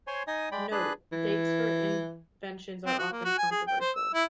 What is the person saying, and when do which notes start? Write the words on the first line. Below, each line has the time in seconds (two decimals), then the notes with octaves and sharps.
"Note:" Dates for inventions are often controversial.
0.07 C5 C#5 G#5 C6
0.27 D#4 D#5 G#5 D#6
0.52 G#3 D5 G5 B5
0.71 D4 G#4 B4 F#6
1.12 E3
2.86 C4
2.99 F#4
3.12 A#3
3.24 F#4
3.38 G#5
3.51 G#4
3.68 G5
3.81 C5
3.96 E6
4.14 E4